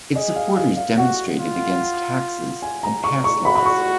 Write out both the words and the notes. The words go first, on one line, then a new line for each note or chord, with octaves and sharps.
Its supporters demonstrated against taxes and pass laws.
G#4 D#5
F5
F5
F5
F#4 F#5
F4
G#5
A#5
C#6
C#6
F#4 B5
B5
C#6